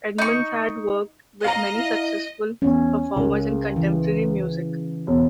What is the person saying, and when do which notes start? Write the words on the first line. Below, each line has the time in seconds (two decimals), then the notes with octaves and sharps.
Edmonds has worked with many successful performers in contemporary music.
0.18 D#4 C#6
1.44 D#5 F5 A#5
1.75 E4
2.62 E2 C#4
3.17 C#2 C#3 A#4
3.76 E3
5.07 E1